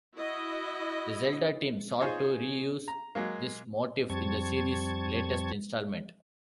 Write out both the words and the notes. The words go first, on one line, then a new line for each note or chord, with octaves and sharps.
The "Zelda" team sought to reuse this motif in the series' latest installment.
E4 F#4 D#5
D#4 F4 G#4 C5 C#5 D#5
A#5
F#3 G#3 A#3
F2 G3 C4 A5 C#6 G#6